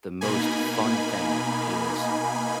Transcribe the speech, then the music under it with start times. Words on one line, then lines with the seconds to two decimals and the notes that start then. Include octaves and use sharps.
the most fun thing is
0.21 B2 A#3 D#4 G#5 B5